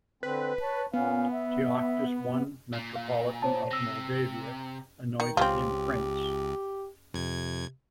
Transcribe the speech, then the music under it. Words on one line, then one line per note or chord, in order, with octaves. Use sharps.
Teoctist I, Metropolitan of Moldavia, anointed him prince.
D3 C4 B4
C#5 A5
A#2 B3 C#4 F5
E5
A#2
F5
C5 C#5 A5
C3 E6 A#6
D#3 C#7
C#2 C4 C#4 F4 G4
F2 C3 G#6